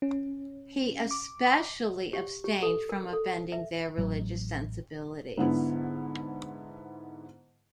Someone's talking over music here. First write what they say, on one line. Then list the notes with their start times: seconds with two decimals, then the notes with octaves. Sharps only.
He especially abstained from offending their religious sensibilities.
0.02 C#4
1.11 D6
2.13 G4
2.44 G4
2.63 A4
2.89 A#4
3.13 A4
3.52 E5
3.98 A1 F#3
5.37 G#2 D3 B3 E4